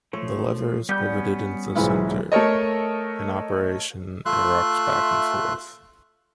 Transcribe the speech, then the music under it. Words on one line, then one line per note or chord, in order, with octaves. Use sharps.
The lever is pivoted in the center; in operation it rocks back and forth.
F3 A3 C#5
G3 B3 C#4 G6
B1 G#2 E3 E4 F4
A3 A4 A#4 C#5 D#5
A3 F4 E5 C6 F#6